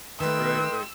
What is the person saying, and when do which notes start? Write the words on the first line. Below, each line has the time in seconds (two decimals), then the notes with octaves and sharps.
Right, right.
0.20 D#3 A3 B4 D#5 G5 C6 E6